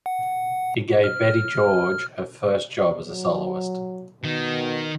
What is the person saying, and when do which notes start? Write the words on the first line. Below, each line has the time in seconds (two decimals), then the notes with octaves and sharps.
He gave Betty George her first job as a soloist.
0.06 F#5
1.04 F6
3.05 F#3
4.24 B2 D#3